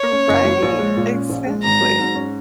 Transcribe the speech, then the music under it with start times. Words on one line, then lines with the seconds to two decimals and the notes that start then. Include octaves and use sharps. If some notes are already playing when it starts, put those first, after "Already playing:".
Right. Exactly,
Already playing: C#5
0.12 C#4
0.28 F#1
0.45 F#3
0.62 A#1
0.79 G#3
0.97 A#2
1.13 C#4
1.30 A#1
1.46 G#3
1.63 G#1 A#5
1.81 F#3
1.98 G#2
2.15 C#4